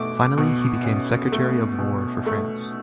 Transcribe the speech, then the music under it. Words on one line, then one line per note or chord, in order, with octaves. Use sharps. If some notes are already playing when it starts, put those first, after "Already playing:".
Finally he became Secretary of War for France.
Already playing: B2 A3 D6
B2
C#4
A3
B2
A3